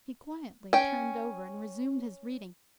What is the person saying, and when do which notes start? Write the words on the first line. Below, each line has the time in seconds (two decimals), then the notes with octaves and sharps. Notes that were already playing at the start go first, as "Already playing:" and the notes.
He quietly turned over, and resumed his reading.
0.73 C#4 G5